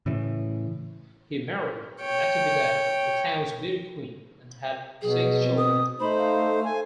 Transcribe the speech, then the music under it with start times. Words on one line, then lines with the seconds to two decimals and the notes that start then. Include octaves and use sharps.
He married Natividad, a town's beauty queen and had six children.
0.06 A2 C#3 E3
2.02 C#5 G5
5.01 B2 F#3 G#4
5.43 C4
5.58 D#6
6.00 A3 D#4 C5 B5
6.17 F5
6.65 G#5